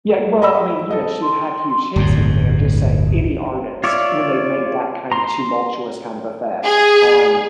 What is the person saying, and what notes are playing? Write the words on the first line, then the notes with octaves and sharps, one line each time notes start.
Yeah, well, I mean, you know, she had had huge hits and everything. I'm just saying any artist when they've made that kind of tumultuous kind of effect on
D#5 B5 E6
A4 D#5
C6
D1 G1 E2 A2
F4 C#5 D5 E5
A#5 C6
G#4